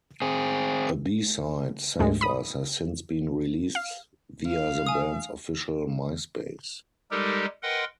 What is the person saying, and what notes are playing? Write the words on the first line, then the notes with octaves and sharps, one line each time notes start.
A B-side, "Save Us", has since been released via the band's official Myspace.
C4 G#4
D2 G#2 G#3
B5 D#6
F5
F5
G#5 D#6
G3 G#3 D#4 G4 A4 A#4
A#4 B4 D#5 F#5 G5 C6